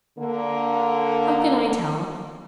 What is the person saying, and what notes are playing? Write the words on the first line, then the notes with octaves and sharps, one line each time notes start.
'How can I tell?
D3 A#3